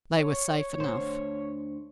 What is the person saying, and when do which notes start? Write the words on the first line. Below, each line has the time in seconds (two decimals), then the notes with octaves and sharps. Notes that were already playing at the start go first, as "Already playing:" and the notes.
They were safe enough.
0.18 C#5
0.80 D2 C5